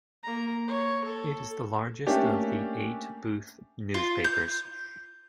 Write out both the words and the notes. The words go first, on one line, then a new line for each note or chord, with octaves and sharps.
It is the largest of the eight Booth newspapers.
A#3 A#5
C#5
A4
A3 A#3 C#4 D4 G4
F4
G6